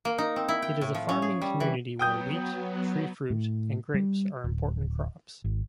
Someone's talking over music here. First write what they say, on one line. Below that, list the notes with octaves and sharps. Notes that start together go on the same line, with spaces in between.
It is a farming community where wheat, tree fruit, and grapes are important crops.
A#3
D#4
C4
E4
G5
A2
F3
C#4
G#4
G3
E3
F#3 B3 G5 D#6 G6
A2
G3
D1
G#1